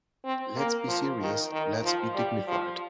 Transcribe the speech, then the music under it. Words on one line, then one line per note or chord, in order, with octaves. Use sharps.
Let’s be serious, let’s be dignified.
C4
A#3
F3
D#3
D#3
F3
G3
F3